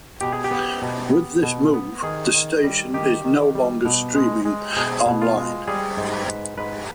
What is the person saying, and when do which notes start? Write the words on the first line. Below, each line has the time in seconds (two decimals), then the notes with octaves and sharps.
With this move, the station is no longer streaming online.
0.21 B2 G4
0.32 G#4
0.44 G4
0.51 B3
0.82 B2
1.13 B3
1.43 B2
1.74 B3
2.03 D#3 G#4
2.34 D#3
2.64 G3
2.94 D#3 G4
3.25 D#3
3.55 G3
3.85 B2
4.15 G#3
4.45 G#3
4.76 B2 G#4
5.06 B2
5.22 F4
5.37 G#3
5.67 G3 G#4
5.97 G#2
6.13 B4
6.27 G#2
6.58 G#2 B4